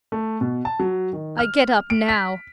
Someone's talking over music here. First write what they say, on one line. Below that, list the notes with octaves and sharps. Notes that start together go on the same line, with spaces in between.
I get up now!
A3
B2
A5
F#3
D#3
F6
D7
B6